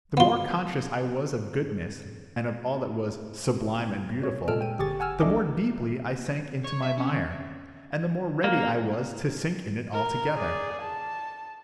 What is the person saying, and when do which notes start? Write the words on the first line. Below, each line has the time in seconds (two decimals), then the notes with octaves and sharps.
The more conscious I was of goodness and of all that was "sublime and beautiful," the more deeply I sank into my mire and the more ready I was to sink in it altogether.
0.17 B3 F4
4.22 B2 C#5
4.48 A#2 G#3 A4 E6 F6 D7
4.61 G5 D#7
4.79 G1 G4 G#4 C#6 A6
5.00 F#5 G#5 E6 F6
5.20 B1 A3 D4 D#5 D6
6.64 C#5
6.83 E5
6.98 C#4
7.12 D#3
8.44 A#3
9.93 A#4
10.35 G#4 D5
10.82 A5